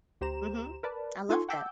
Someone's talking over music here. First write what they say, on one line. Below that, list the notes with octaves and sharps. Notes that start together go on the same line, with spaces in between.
Mhm, I love that.
D2 G4 C5 A#5 E7
A#4 B4 D5 A5
D#4 F4 A4 G#5 C6 C#6
F#5 G5 A5 D6 E6 G6